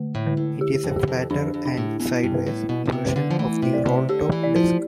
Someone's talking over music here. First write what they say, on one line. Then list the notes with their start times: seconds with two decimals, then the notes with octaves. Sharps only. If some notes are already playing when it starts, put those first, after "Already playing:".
It is a flatter and "sideways" version of the rolltop desk.
Already playing: D3 A3
0.15 A2
0.27 D3
0.37 A2
0.61 G4
0.84 F2
0.96 E2 G4
1.08 F2
1.30 F2 D4
1.54 F2
1.66 D4
1.77 A2
2.00 A2 B3
2.24 G2
2.34 B4
2.46 A2
2.69 B2 B3
2.86 B2
2.92 C3
3.05 C3 B4
3.16 D3
3.31 F3
3.39 E3 A3
3.62 C3
3.74 D5
3.86 C3
4.09 D3 G4
4.32 E3
4.43 D5
4.56 F3